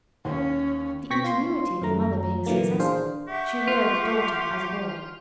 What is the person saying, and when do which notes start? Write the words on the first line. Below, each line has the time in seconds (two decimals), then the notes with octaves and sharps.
The ingenuity of the mother being successful, she reared the daughter as a boy.
0.25 D#2 C#4
1.10 B2 G5 C#6 G#6 A#6 B6
1.24 F4 C6
1.81 F#2 D#3 A3 A#5
2.46 A#2 D3 E3 F#3 A#3
2.80 D4 G#4 C5 F5
3.28 G4 E5 F#5 C#6
3.68 F4